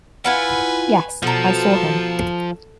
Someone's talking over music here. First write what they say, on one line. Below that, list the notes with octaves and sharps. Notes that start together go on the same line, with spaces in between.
Yes, I saw him.
E4 F4 B4 F#5 G#5
B2 F3 A4 A#5